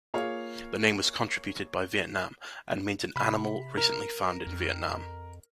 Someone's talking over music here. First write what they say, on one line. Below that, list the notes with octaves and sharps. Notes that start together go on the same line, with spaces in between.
The name was contributed by Vietnam and means an animal recently found in Vietnam.
A#3 F4 G#4 C#5 F5
C3 B5
A#4
F2